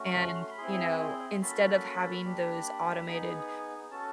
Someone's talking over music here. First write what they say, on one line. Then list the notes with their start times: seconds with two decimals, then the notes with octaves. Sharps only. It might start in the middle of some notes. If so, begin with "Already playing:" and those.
and, you know, instead of having those automated,
Already playing: A3 C#4 F#4
0.17 C6
0.51 B5
0.58 C4 E4 G#4 C6
1.00 C6
1.30 C6
1.42 A#3 C#4 F#4 A4 B5
2.24 A#3 D4 G4
3.08 B3 D#4 G#4
3.90 C#4 F#4 A4 A5